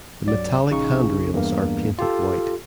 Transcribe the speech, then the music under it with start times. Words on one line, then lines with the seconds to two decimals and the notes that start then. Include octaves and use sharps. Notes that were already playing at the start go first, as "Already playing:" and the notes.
The metallic handrails are painted white.
0.24 C2 G2 F#3 D5
0.70 A#1 C#3 D#4 C#6
1.33 E2 G2 A#3
1.99 F4 G4 A4